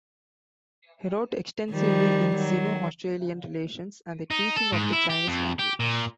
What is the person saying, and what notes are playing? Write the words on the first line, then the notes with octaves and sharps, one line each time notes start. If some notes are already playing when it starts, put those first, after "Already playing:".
He wrote extensively on Sino-Australian relations and the teaching of the Chinese language.
D#3 F3 G3
D#3 F#3
D#4
A4
G#2
E4
G4
F2
G4
A#2